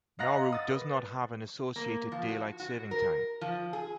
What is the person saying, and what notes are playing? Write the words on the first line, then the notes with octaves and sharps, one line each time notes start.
Nauru does not have an associated daylight saving time.
D#5 F5 F#5 A#5 F#6 A#6
D#6 A6
B4
A#3
F3
F#4
F#4
A#4
F3
G#4